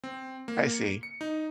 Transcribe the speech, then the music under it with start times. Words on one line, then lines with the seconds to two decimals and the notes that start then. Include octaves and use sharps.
I see.
0.04 C4
0.48 A#3
0.74 C#7
1.03 C#7
1.21 D#4